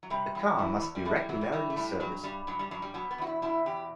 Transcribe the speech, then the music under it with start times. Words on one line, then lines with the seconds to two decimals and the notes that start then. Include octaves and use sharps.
A car must be regularly serviced.
0.03 F#3
0.10 C3 G3
0.35 E2
0.59 E3
0.82 E2
0.95 G3
1.05 A2 A3
1.17 G3
1.29 E3 F#3
1.41 G3
1.52 E3 G3
1.70 A3
1.76 A2 G3
2.00 G2 F#3
2.24 G2 G3
2.47 G2 F#3
2.59 G3
2.71 G2 F#3
2.82 G3
2.94 B2 F#3
3.11 B3
3.18 E2 F#4
3.27 E4
3.42 B2 E4
3.66 E2 G4